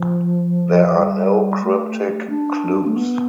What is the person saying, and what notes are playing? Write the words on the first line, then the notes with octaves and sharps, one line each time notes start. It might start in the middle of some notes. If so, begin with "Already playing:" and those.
There are no cryptic clues.
Already playing: F3
G3
A3
D4
A3
B3